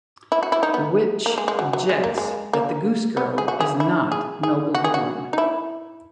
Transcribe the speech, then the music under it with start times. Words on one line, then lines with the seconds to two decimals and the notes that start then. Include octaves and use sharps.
The Witch objects that the Goose-Girl is not noble-born.
0.32 E4
0.43 F#4
0.52 E4
0.63 D#4
0.74 B3
1.26 A#3
1.38 G#3
1.48 G#3
1.59 F#3
1.73 F#3
1.89 G#3
2.04 A#3
2.18 G#3
2.53 A#3
3.17 B3
3.38 G#4
3.48 F#4
3.60 G#4
3.80 E4
4.12 G#4
4.43 G#4
4.75 F#4
4.84 G#4
4.94 F#4
5.33 D#4
5.38 E4